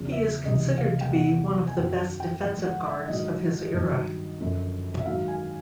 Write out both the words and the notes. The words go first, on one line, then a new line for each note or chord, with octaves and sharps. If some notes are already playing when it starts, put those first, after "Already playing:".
He is considered to be one of the best defensive guards of his era.
Already playing: E2 C#3 F3
E5
C#2 C3 E3 D#5
F5
G5
E2 C3 E3 F#5
G#5
F#2 D#3 F#3 G5
G5
G#2 F3 G5
F#5
E5
G#2 D#3 F#3 D#5
G2 D#3 F#3
F#2 D3 F3
E5
G#2 D#3 F#3 F5
G#5